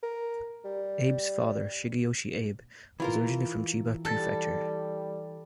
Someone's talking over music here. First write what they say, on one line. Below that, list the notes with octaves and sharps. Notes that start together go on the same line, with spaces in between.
Abe's father, Shigeyoshi Abe, was originally from Chiba Prefecture.
A#4
G3
E3 F4 A#4
G3 A4